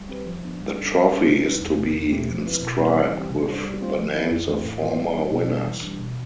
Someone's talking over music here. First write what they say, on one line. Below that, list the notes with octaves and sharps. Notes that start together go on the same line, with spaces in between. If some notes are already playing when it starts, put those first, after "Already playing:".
The trophy is to be inscribed with the names of former winners.
Already playing: G3
C4 G4 B4
F3
B3 D4
G3
D4
A4
G3
D4 G4 C5
C3
G3 D4 G4 B4
E2
C3 E3
E2
B2 A3 C4 G4
F3
C4 E4 B4
B2
G3 C4 G4 B4
E3
G3 C4 G4
C3
G3 D4 A4 C5
G3
C4 F4 C5
F3
C4 E4
F2
E3 A3 C4 E4
A2
E3 B3 F4
G3
D4 G4
B2
G3 B3 D4 A4
E3
G3 D4
B2